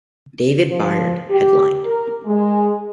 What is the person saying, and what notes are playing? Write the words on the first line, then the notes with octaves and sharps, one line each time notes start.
David Byrne headlined.
F3
G4
A#4
G#3